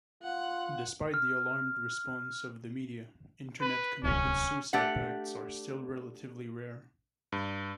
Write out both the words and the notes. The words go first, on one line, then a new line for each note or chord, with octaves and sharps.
Despite the alarmed response of the media, Internet-connected suicide pacts are still relatively rare.
F4 F#5
F6
B4
D1 C2 C#4
A3 D4 G4 F#5
G2